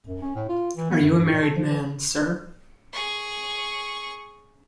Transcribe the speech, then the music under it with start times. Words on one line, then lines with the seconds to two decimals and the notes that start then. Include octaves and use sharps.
Are you a married man, sir?
0.07 F#2
0.22 C#4
0.35 A2
0.48 F4
0.76 E3
0.90 B3
1.02 F#2
1.18 G2
1.31 A#2
1.42 A4
1.56 F3
1.70 E3
2.93 G#4 C#6